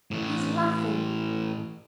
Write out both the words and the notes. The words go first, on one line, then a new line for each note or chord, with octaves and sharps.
"He's laughing."
A2 E3